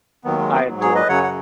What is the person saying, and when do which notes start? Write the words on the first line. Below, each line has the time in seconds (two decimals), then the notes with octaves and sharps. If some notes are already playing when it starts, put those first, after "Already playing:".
I adore it,
0.24 D#2 D#3 F#3 B3
0.39 G#3
0.52 B3
0.67 G#2 F#3
0.81 G#4 C#5
0.95 B4 D#5
1.09 F#2 C#3 F#3 C#5 F#5
1.23 F#5